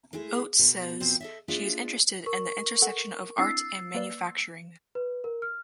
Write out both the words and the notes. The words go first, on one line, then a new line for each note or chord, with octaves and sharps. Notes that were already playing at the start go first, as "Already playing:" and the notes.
Oates says she is interested in the intersection of art and manufacturing.
G#3 A3 E4 G#4
B2 A#4
B2 F3 C4
A4 D#5 E5
A#3 D4 F4 G#4 D5 E5
A#4 C#6
A4 F#5
C4 D4 E4 E6 A6 C7
A#3 B4 D5
B4
A#4
F6